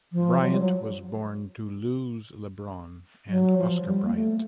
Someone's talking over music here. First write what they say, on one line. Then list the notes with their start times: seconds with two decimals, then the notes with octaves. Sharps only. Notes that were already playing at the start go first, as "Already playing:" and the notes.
Bryant was born to Luz Lebron and Oscar Bryant.
0.13 F3
0.42 F#3
0.51 G3
0.61 F#3
3.29 F#3
3.58 F3
3.81 F#3
3.86 G3
4.05 A#3
4.15 A3